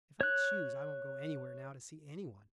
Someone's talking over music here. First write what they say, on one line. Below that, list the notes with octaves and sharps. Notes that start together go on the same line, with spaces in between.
If I choose, I won't go anywhere now to see any one.
C#5 F#6